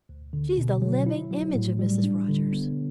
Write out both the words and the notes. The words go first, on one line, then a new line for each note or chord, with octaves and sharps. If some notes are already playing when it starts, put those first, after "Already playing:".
"She's the living image of Mrs. Rogers."
D2
D3
B2
F#3
E4
F#3
A2
G3
D4
D3
B3